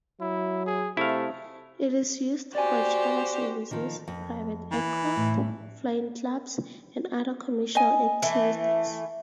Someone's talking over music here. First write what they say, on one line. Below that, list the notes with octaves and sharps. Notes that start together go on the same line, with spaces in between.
It is used for charter services, private aircraft, flying clubs, and other commercial activities.
F#3 E4
G#4
C3 A3 E4 F5
F#4 G4 C5 D5 G#5
D#3 F3
F2
E3
A2
D#5 G#5
E3 A3